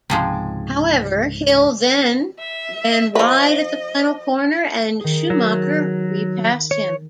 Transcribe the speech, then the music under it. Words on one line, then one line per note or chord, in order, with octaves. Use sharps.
However, Hill then ran wide at the final corner and Schumacher repassed him.
C#2 G#2 C3 F3 G#3
E5
F3 B4 D#5
D#3 G#4
F#3
C#5